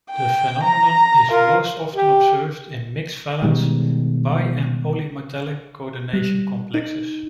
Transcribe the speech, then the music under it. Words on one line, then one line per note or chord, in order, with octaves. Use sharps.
The phenomenon is most often observed in mixed-valence bi- and polymetallic coordination complexes.
G5
A#5
F4 A#4
G4
B2 D#3 G3 G#3
G3
D#4